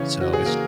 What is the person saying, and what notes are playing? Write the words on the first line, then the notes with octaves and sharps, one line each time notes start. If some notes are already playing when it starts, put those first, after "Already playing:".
so it's
Already playing: C#3 E3 C#4 C#5
F#4
G#4
A#3 A#4